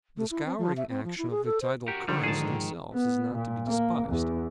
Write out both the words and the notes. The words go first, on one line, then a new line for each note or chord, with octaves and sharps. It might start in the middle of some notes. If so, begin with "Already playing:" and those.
The scouring action of the tidal currents themselves is not to be despised.
A3
E4
C4
F3
E5
C4
F3
E4
G#4
A4
C5
F#4 G4 A#4
D3 D#3 G3
G#2 F3 G#3 G#4 A5
B3
A#2
A#3
E2